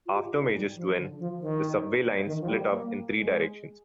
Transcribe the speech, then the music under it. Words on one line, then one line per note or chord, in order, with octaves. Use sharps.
After Majorstuen the subway lines split up in three directions.
F4
G4
F4
D#4
G3
F3
D3
F3
D#3
D#3
F3
G3
A#3
G#3